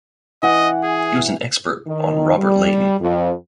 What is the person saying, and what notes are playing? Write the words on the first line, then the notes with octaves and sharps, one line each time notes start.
He was an expert on Robert Leighton.
E3 D#5 F#5
G#4
D#3
G3
F2